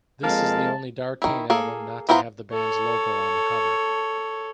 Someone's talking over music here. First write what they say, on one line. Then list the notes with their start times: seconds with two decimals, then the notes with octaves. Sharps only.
This the only Darkane Album not to have the band's Logo on the cover.
0.23 F2 G#3 A#3 A5
1.22 D#3 E4
1.50 A#3 G#4 A4
2.09 B3 E4 F4 C5 A#5
2.52 A4 C#5